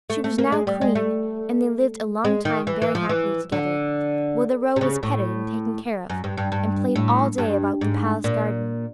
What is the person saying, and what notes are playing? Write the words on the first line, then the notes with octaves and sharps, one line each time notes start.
She was now queen, and they lived a long time very happily together; while the roe was petted and taken care of, and played all day about the palace-garden.
A3
A3
A#3
G#3
G3
G#3
A3
G#3
D#3
E3
E3
F3
E3
D3
C3
C#3
A2
F#2
G2
G2
G2
A2
G2
G#2
A#2